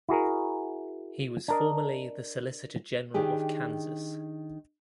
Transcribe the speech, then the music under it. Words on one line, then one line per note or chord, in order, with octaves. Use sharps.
He was formerly the Solicitor General of Kansas.
E4 F#4 G#4 A#4
D4 A#4 D#5
D#3 D4 G4 G#4